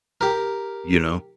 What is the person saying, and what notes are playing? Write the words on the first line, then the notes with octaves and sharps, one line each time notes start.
You know?
G4 A#4